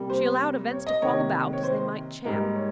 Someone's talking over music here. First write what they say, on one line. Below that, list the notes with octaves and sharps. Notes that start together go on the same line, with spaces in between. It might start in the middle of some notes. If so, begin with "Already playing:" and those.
She allowed events to fall about as they might chance.
Already playing: C3 G3 A#3
C5
C#5
D#5
C3 D#3 A#3 C#5
C#5
C5
G#2 G3 A#3 A#4
C#5